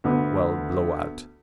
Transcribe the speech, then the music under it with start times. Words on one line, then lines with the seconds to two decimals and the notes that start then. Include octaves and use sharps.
Swell blowout.
0.04 D2 B3